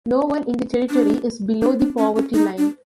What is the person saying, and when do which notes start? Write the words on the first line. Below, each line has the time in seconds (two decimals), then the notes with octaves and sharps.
No one in the territory is below the poverty line.
0.90 D4
1.62 D4
1.80 D4
1.98 C#4
2.16 C#4
2.34 D#4
2.58 D4